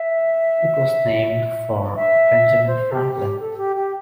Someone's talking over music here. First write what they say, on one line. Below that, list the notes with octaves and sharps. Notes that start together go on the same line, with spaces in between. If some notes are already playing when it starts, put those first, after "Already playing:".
It was named for Benjamin Franklin.
Already playing: E5
E5
C5
G4
G4
A4
G4
G4